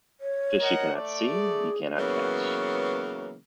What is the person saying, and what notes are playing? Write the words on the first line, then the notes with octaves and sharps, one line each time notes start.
Fish you cannot see, you cannot catch.
C#5
A#4 D#5 F#5
A3 D5
G#4
C#3 E3 F#3 A#3 B3